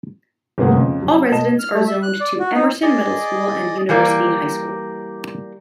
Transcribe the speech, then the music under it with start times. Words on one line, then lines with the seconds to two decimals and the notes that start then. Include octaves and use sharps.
All residents are zoned to Emerson Middle School and University High School.
0.58 G1 C3 A3 A#3 G#4 F#5
0.74 F2 C#3
1.02 F#3
1.31 B2 D#5 A5 E7
1.59 F6
1.73 A3
1.87 E5
2.03 F#6
2.21 D5
2.40 F#4
2.54 D#4
2.82 G#4 D5 D#5
3.89 E3 G3 A#3 D5